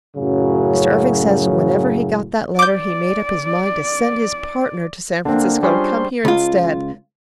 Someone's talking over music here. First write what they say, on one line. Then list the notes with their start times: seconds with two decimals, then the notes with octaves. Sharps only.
Mr. Irving says whenever he got that letter he made up his mind to send his partner to San Francisco and come here instead.
0.16 F#2 A2 C#3 F#3
2.59 D5 D6 G6
5.25 D3 A#3 C4 D4
5.63 G3 C#4 F4 G#4 C5
6.25 C#2 F4